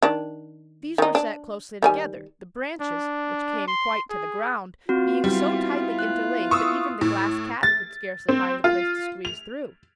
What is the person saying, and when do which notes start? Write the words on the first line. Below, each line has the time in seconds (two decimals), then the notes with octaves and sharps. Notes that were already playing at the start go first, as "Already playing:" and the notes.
These were set closely together, the branches, which came quite to the ground, being so tightly interlaced that even the Glass Cat could scarcely find a place to squeeze through.
0.03 D#3 D4
0.98 D#3 D#4
1.15 D4
1.83 D#3 G3 G#5
2.81 D4
3.68 C6
4.10 G#4
4.89 C4 F4 F#4
5.24 G3 B3 E4 F4
5.99 F#6
6.51 C#6 D#6 E6
7.01 A2
7.63 A6
8.29 C4
8.64 F4
9.25 F7